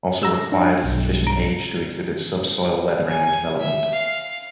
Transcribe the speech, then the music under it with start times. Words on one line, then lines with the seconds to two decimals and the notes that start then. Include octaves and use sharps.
Also required is sufficient age to exhibit sub-soil weathering and development.
0.23 A#5 E6
0.52 D4
0.84 B1 G2
1.27 A#5 D7
3.09 G#5
3.60 E5
3.93 F5